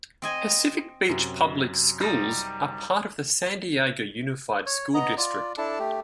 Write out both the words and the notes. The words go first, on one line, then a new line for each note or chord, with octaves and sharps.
Pacific Beach public schools are part of the San Diego Unified School District.
C4 D#5 G#5
F#2 C3 F#3
G3 D#4
C#5
B3 D#5 A#5
F4 D5
D4 E4 A4 A5
A3 G4